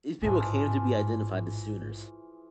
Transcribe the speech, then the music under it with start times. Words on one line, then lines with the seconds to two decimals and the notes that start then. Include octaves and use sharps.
These people came to be identified as Sooners.
0.22 A1 G#2 E3 F3 G#4